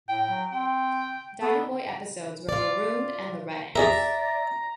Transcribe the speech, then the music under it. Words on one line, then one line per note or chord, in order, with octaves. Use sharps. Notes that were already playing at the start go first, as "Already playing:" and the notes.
Dino Boy episodes were "Marooned" and "The Red Ants".
A2 G5
F#3
C4 G5
B3 A4
F4 D5
E2 G#4 A#4 D5 E5 A#5